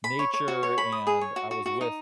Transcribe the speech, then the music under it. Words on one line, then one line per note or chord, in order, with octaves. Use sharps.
nature and I was with,
B5
C#5
C#5
F#4
C#5
B5
D#6
G#4
C#5
F#4
F#4
F#4
D#4